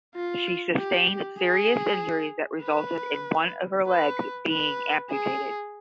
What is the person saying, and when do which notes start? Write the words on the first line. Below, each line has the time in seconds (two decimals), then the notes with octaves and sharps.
She sustained serious injuries that resulted in one of her legs being amputated.
0.15 F4
0.77 G4
1.39 G#4
2.63 B4
3.87 B4
4.49 B4
5.10 G#4